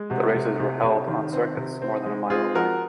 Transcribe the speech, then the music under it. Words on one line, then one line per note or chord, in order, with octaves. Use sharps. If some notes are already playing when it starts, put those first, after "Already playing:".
The races were held on circuits more than a mile away.
Already playing: G#3
C3 F#4
C3
C3
C3
D#3
C4
C3
C4
G#3
C4 F4 G#4
F3 F#4 A#4